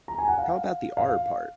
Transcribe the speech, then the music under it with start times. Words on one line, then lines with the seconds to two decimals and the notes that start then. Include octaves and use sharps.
How about the R part?
0.08 A#5
0.18 G#5
0.28 F#5
0.38 F5
0.97 F5